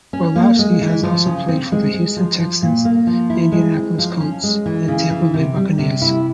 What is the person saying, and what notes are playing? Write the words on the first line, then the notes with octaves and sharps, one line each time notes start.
Orlovsky has also played for the Houston Texans, Indianapolis Colts and Tampa Bay Buccaneers.
C#4
A#3
G#3
E3
F3
C#3
C4
G#3
G#3
F3
F3
A#2
A#3
F3
E4
G#3
C4
F3
C#4
G#3
E3
C#3
E3
C3
G3
C3
E4